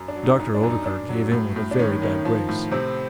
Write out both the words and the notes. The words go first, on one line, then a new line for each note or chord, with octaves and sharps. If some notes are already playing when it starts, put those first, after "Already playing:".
Dr. Oldacre gave in with a very bad grace.
Already playing: F#2
D4
F#3
D#4
F#2 D#4
D4
F#2
D#4
F#2 D4
F#3
A2
A2
D4
D#3 C#4
D#3 C#4
F3
A2
C3 C4